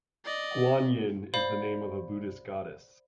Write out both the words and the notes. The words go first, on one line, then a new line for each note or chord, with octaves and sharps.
Guanyin is the name of a Buddhist goddess.
D5 D#5
C5 D5 F5 B5